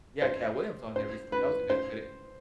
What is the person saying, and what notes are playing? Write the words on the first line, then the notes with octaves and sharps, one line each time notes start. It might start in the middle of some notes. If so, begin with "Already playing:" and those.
He had Katt Williams on there recently, that was a good good e
C5
C5
B4
C5